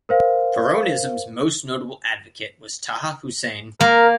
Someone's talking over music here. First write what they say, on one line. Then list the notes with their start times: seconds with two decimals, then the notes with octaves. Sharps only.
Pharaonism's most notable advocate was Taha Hussein.
0.09 A#4 C5 F5
3.81 A#3 A#4